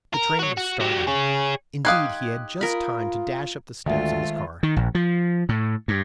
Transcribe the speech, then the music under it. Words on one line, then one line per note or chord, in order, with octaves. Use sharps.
The train was starting; indeed he had just time to dash up the steps of his car.
A#4
F#4 C#5
F#4
F#3 G3
G#4 C#5
D#4 G4 F5 C6 D#6 F#6 G#6
F4 A#4 B5
D2 D#3 G#3 A3 F4 E5
D#3
A#1
F3
A2
G2